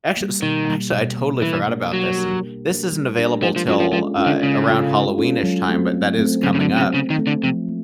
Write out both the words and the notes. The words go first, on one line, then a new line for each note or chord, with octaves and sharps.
actu eh s actually, I totally forgot about this, and this isn't available till, uh, around Halloween-ish time, but that is coming up,
G3 A#3
B2 D#3
G3 A#3
B2
G3 A#3
E3 G3
A#3 D4 G4 A#4
F#3 G3
A#3 D4 G4 A#4
G3
A#3 D4 G4 A#4
G3
A#3 D4 G4 A#4
F3 G#3
F3
F#3 C#4 F4 A4
F3
F3 G#3
C#4 F4 A4
D3
C#3 G#3
C#4 F4 A4
G#3
C#4 F4 A4
F#3
A3 C4
F#3
A3 C4
C#3 F#3
C#3
D3
A3 C4
C#3
C#3 F#3
D#3
A3 C4
D3
C3 F3
A#3